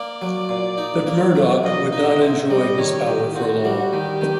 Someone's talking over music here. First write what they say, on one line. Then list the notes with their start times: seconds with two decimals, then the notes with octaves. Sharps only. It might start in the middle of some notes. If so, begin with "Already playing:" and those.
But Murdoch would not enjoy his power for long.
Already playing: A#3 D5
0.22 F#3
0.49 A#2
0.78 D#4
1.07 A#3
1.35 F#3
1.64 A#2 D#5
1.93 D#4 D#5
2.21 C4 E5
2.49 G3 D#5
2.78 D#3 C#5
3.07 D#3 G4
3.36 C4 F#4
3.65 G3
3.93 D#3 G4
4.21 D#3